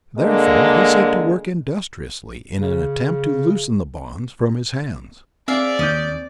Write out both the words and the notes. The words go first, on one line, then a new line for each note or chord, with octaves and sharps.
Therefore he set to work industriously in an attempt to loosen the bonds from his hands.
D3 G#3 A#3
C#3
C4 G#4 D5 E5 F5
D#2 C#4 D#6 G6